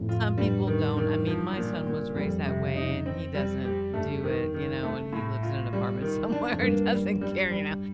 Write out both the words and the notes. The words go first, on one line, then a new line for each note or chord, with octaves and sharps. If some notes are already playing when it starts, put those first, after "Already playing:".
some people don't. I mean, my son was raised that way and he doesn't do it, you know, and he lives in an apartment somewhere and doesn't care, you know,
Already playing: F2 A2
F4
G2 G3
D#3
D#3
F3
A#2
A#2
F2 G3
C3
D#4
C4
G3
G4
G2 A3
D#3
D#3
A3
A2
F4
G3
D#3
D4
F2
G2 A#3
G3
G3
G3